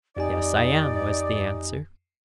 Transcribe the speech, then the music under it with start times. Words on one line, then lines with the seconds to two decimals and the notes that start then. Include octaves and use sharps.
'Yes, I am,' was the answer.
0.17 F2 D#4 G4 D5 G#5